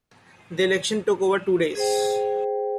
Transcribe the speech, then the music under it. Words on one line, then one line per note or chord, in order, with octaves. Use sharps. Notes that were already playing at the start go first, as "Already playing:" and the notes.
The election took over two days.
G#4 C5 G5